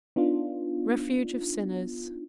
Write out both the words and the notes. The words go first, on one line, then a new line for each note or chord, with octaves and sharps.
Refuge of sinners.
B3 D4 D#4 F4